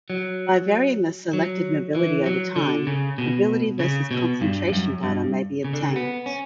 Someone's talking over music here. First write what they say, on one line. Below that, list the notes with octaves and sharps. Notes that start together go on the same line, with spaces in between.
By varying the selected mobility over time, mobility versus concentration data may be obtained.
F#3
F#3
E3
F#3
D3
C#3
B2
C#3
B2
G2
G2
F#2
G2
C#3
D3
C#3
B3
C#4